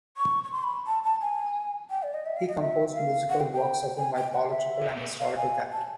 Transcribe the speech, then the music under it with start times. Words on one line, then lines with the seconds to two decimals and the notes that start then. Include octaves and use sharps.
He composed musical works of a mythological and historical character.
0.17 C#6
0.44 C#6
0.52 C6
0.63 B5
0.87 A5
1.04 A5
1.22 G#5
1.90 G5
2.03 D5
2.14 D#5
2.26 E5
2.36 F5
2.48 D#5
2.60 E5
2.94 F5
3.29 F#5
3.40 G5
3.52 G5
3.98 G#5
4.15 G5
4.33 F#5
4.50 E5
5.20 F5
5.36 G#5
5.72 A5